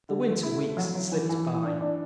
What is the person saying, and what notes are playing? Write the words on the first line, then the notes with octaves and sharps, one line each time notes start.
The winter weeks slipped by.
D3
A3
E4
A3
F#3
F#3
E3
E3
E3
D4
D4